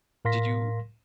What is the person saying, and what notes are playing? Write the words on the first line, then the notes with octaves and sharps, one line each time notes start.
did you
A2 A#4 F5 C6 A#6 B6